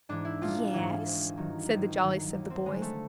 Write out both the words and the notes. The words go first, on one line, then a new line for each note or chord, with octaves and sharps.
"Yes," said the jolliest of the boys.
G#2 E3 D4
E4
A#1 F4
G#2 E3
G#1
G2 D#3 F#3
G#1
G2 D#3 F#3
D#2
C4
D3 F#3 G#3
A3